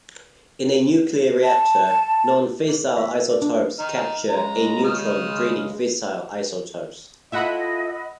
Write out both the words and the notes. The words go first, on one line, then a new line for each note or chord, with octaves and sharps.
In a nuclear reactor non-fissile isotopes capture a neutron breeding fissile isotopes.
A5
A#4
E5
D5
D4
D#4 F6
C#3 G#3 A#5
D#6 F6
E4 F4 A4 D#5 E5 F#5 B5